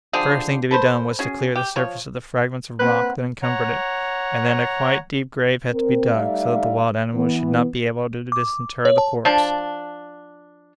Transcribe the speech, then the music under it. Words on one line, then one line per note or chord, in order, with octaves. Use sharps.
The first thing to be done was to clear the surface of the fragments of rock that encumbered it, and then a quite deep grave had to be dug, so that the wild animals should not be able to disinter the corpse.
D3 F3 G4 G#4
A4 B4 C5
C#4 F#4 G#4
G4
F3 C#5
A#3 C4 B4 F#5
C#5 F#5 A#5
C4 A#4
G3 A3 D#4 D5 E5 F5
E3 B3
D6
C#5
A5
F3 D4